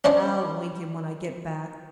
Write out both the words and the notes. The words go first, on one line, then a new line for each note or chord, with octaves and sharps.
I'll wink him when I get back.
C#4 D4 C5 D#5